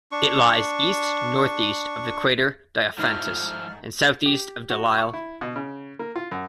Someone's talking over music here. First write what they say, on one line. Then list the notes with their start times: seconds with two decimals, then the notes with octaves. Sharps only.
It lies east-northeast of the crater Diophantus, and southeast of Delisle.
0.12 D4 C#6
2.98 G2 F3 A3 D#4 E4 F6
4.26 G4
4.70 F#4
4.98 C#6
5.13 E4
5.41 B2
5.56 C#3
5.99 A#3
6.16 F4
6.31 F#2